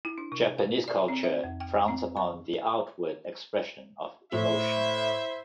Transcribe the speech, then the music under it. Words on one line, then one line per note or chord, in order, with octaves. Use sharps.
Japanese culture frowns upon the outward expression of emotion.
E4
D4
C3
F5
D5
C4
E5
F2
G5
C4
C#6
A2 E4 C5 E5